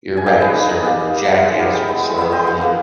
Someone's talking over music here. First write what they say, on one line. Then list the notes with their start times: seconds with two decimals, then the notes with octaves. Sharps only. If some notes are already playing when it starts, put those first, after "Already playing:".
You’re right Sir, Jack answered sorrowfully.
0.17 G#5
0.26 A#3 D#5 G5
0.41 D#4 G#4 B4
0.56 A#3
0.71 D#4
0.85 A#3 G4
1.00 D#4
1.15 A#3
1.29 D#4
1.44 G#3 G#4
1.59 B3 E4 G4 A#4
1.73 G#3 D#5 G5
1.88 B3 E4
2.03 G#3
2.18 B3 E4 E5
2.32 G#3 D#5 G5
2.47 B3 E4
2.61 A#3